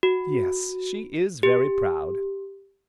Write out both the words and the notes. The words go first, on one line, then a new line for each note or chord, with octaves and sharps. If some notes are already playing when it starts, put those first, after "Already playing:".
"Yes, she is very proud."
F#4
G4